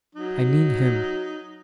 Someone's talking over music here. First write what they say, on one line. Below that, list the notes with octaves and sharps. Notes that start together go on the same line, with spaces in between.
I mean him.
F#3 D#4